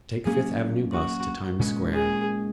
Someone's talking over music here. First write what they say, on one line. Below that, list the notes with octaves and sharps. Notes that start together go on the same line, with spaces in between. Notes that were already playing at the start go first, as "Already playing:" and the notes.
Take Fifth Avenue Bus to Times Square.
A#2 F#3 A#3 C#4 G#4
F#4
A#2 G#3 C#4
G#4